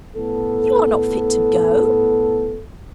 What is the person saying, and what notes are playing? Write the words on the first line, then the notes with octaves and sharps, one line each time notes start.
'You are not fit to go.
A2 B3 A4